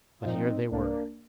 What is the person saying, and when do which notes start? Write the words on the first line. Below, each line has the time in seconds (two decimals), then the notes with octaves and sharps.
But here they were.
0.21 F4
0.25 A#2 F3 C4 D#4
0.71 C2 A#3 D4